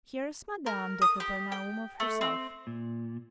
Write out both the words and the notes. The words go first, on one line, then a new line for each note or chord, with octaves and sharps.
Here is Madame de Kapernaumov herself.
A#4
D#6
G4
G5
A3
C4
A#2